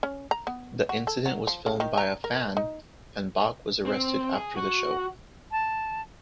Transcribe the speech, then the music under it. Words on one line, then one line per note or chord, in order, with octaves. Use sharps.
The incident was filmed by a fan and Bach was arrested after the show.
C#4
A#5
B3
F#4
A4
F#3
F3
C#3
D#3
A#5
A#4
D#4
C4
G#4
F#4
A5